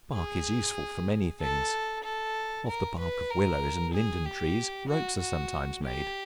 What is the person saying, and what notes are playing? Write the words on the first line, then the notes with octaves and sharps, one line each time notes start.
Bark is useful for many things: of the bark of willows and linden trees, ropes are sometimes made.
G#4
A4
A4
A#4
B4
A#4
G#4
G4
F#4
F#4
G4